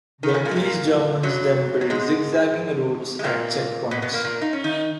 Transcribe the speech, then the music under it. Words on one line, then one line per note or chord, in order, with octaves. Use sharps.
The East Germans then built zig-zagging roads at checkpoints.
D#3 D#4
B3
C#3 C#4
A#2 A#3
G#3
A#2 A#3
F#2 F#3
F#3
G#2 G#3
G#3
A#2 A#3
B2 B3
B2 B3
A#2 A#3
A#2 A#3
D#4
C#4
D#3 D#4